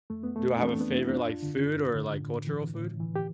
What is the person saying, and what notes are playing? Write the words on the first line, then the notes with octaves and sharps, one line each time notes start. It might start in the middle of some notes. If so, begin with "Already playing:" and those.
Do I have a favorite, like, food or, like, cultural food?
F2 A3
B3
F2 A3
B3
D4
E3 A3 C4
B3 D4
F2
C4 E4
G2 D4 F4
D3
G2
D3
A2
E3
A2
E3
G4